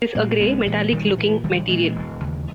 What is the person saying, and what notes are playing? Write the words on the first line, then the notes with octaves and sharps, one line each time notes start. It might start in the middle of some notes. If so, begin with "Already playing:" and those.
It is a grey, metallic looking material.
A#2 G3 A#3
B1 G#3 B3
A#2 E3 G#3
A#1 D#3 G3
A#2 E3
A#1 D#3 G3
A#2 E3 G#3
E1
D#2 C#3